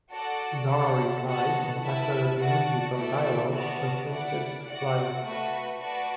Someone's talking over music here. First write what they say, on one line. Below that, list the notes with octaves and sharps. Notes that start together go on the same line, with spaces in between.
Zara replied, and, after a musical dialogue, consented to fly.
F#4 A4 D5 F#5 A5
D4 A4 F#5 A5
B3 F#4 A4 F#5 A5
E4 B4 E5 A5
F#4 D5 F#5 A5
A3 E4 A4 D5
B3 F#4 D5 A5
E4 D5 F#5
F#4 D5 F#5
A3 F#4 B4
F#4 B4 D5 A5